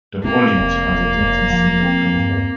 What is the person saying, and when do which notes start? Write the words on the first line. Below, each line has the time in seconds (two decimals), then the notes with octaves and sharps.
The foliage has a distinct scent of camphor.
0.24 C3 A#3
0.56 F1
0.87 F1
1.19 F1
1.50 F3
1.82 C4
2.14 G2